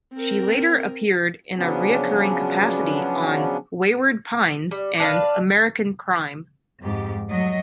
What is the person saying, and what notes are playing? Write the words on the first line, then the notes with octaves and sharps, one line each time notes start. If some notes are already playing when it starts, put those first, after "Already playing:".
She later appeared in a reoccurring capacity on "Wayward Pines" and "American Crime".
C4 A#4
C#3 F3 F#3 B3 C#4 D4
G3
D4 B4 E5 F5
F2 G#2 G4
F#3 A3 D#5